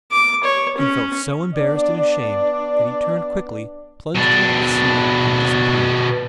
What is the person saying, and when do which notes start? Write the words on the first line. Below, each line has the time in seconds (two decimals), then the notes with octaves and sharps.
He felt so embarrassed and ashamed that he turned quickly, plunged into the sea, and disappeared.
0.12 D6
0.44 C#5
0.77 C#4
1.55 B3 D4 D5
4.16 B2 D4